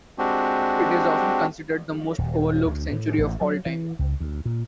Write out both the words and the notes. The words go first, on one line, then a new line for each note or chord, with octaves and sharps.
It is often considered the most overlooked century of all time.
G#3 C4 D4 F#4 G4
D#1
D2
A2
A1
F#3
E3
C#2
D2
A#2